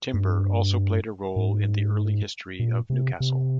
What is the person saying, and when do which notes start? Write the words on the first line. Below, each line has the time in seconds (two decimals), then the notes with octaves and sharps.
Timber also played a role in the early history of Newcastle.
0.14 G2
1.36 G#2
2.59 A#2
2.90 C3
3.20 C3